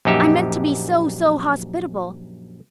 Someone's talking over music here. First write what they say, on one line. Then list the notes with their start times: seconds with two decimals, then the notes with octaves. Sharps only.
I meant to be so--so--hospitable.
0.05 A#1 F#2 D#4 G4 E5